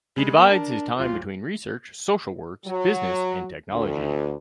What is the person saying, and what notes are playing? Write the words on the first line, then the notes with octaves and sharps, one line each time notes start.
He divides his time between research, social works, business and technology.
G3 G#3
B3 A#4 A5
D4
D1 F4
F#3
D2